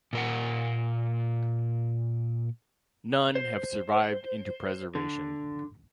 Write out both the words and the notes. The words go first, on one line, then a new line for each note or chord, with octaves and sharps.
None have survived into preservation.
A#2 A#4 F#5
C5
D3